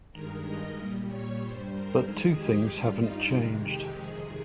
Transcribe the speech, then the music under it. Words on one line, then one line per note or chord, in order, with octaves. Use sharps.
But two things haven't changed.
G2 D#3 G#3 A#4
D#5
A#2 G3
C#5
G2 G3 C5
A#4
F2 D#3 G#3 G#4
G4
G2 G3 F4
D#4
F2 C3 D#3 G#3
G4
F2 C3 D#3 G#3 G#4